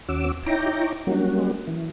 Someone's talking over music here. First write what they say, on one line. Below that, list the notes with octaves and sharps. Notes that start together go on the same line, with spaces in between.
It's perfectly simple.
D#2 C#4 F#4 D6 E6
D#4 E4 C#5 G5 A#5 D6
F#3 G3 A#3 C#4 F#4
E3